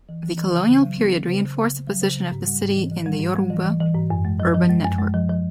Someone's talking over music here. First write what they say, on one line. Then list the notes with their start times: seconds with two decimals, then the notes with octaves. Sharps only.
The colonial period reinforced the position of the city in the Yoruba urban network.
0.09 E3
0.23 E3
0.38 E3
0.53 C#3
0.68 C#3
0.83 F#3
0.97 B3
1.13 F#3
1.27 C#3
1.43 C#3
1.57 C#3
1.71 C#3
1.87 F#3
2.02 C#3
2.16 C#3
2.31 G#2
2.47 G3
2.61 G#2
2.76 E3
2.91 E3
3.06 G3
3.20 G#2
3.35 G3
3.50 E3
3.65 E3
3.80 E3
3.94 G#2
4.10 F#2
4.25 G#3
4.40 F3
4.54 F3
4.70 G#3
4.84 F#2
4.99 G#3
5.14 F3
5.29 F3